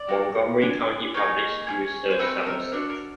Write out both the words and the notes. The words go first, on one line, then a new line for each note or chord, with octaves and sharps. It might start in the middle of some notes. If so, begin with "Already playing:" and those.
Montgomery County Public Schools serves Somerset.
Already playing: D5
A#3 D#4 F#4
D4 F4 G#4
A#3 D#4 G#4 C#5
C#4 F4 G#4
C5
A3 C4 D#4 B4
A4
A#4
D4 F#4 A4 A#4
A#4